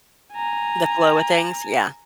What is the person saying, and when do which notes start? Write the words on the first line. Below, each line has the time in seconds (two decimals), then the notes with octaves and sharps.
The flow of things, yeah.
0.34 G#5 A#5